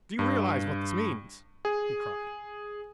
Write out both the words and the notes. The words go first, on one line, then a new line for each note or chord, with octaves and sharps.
"Do you realize what this means?" he cried.
G2
G#4